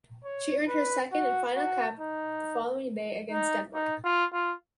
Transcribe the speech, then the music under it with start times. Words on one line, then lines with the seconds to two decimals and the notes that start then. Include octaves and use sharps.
She earned her second and final cap the following day against Denmark.
0.25 C#5
0.68 B4
1.12 F#4
1.56 F#4
1.99 D#4
3.31 D#4
3.75 D#4
4.04 F4
4.33 F4